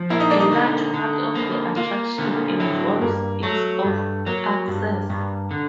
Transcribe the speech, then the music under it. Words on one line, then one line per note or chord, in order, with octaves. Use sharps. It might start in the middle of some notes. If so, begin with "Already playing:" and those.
A large part of the attraction involves ease of access.
Already playing: F3
A#3 E4
D#4
D4
D#4
D3
D3
A#3
A#3 F4
D3
F#3 E4
G2 A#3
F#3 A3
G2
F#3 A#3
G2
G2
D3